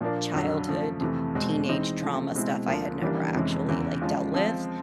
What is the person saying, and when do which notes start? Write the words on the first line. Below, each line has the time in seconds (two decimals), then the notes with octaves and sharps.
childhood, teenage trauma stuff I had never actually, like, dealt with,
0.01 A#2 F3 A#3 D4
0.33 F2 D3 F#3
0.68 C#3 F3 A3
1.01 F2 C3 E3 A3
1.35 E2 B2 G#3 C4
1.68 E3 G#3 C4 D#4
2.01 C#3 F3 A3
2.34 B2 G#3 C4 E4
2.67 D2 D3 F3 A#3
3.00 C#3 E3 G3 A#3 D4
3.35 F2 C3 E3 G#3 C#4
3.68 E2 C#3 E3
4.01 C#3 F3 G#3 C#4 F4
4.34 F3 G#3 C4 F4